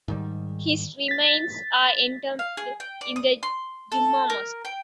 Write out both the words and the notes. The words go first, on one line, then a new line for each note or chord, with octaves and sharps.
His remains are entombed in the Jumah mosque.
G#2 D#3 G3
A6 B6
F5
G#4
G5
D5
D#6
C6
A4
A#4
G5